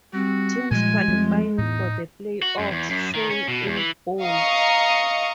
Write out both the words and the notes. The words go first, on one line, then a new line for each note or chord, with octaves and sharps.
Teams qualifying for the playoffs shown in bold.
G3 C4 F#4
A#2 F3 G3 G#3 G#5
F2 F3 G3 A3
E2 A2 D#4
F#4
F#2
E2
F#2
D#3
C#4
B2
E2
E3
D#5 F5 A#5 C#6 D#6 C#7